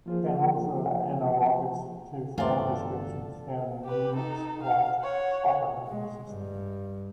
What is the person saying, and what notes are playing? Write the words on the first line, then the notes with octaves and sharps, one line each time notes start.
Channels are analogous to "file descriptors" found in Unix-like operating systems.
F3 A#3 F4 G#4 C5
G1 E2 G2 A3 B3 F4 A4 D5
G4 B4
D#4 A4
F5
C#5 F#5
G#3
G2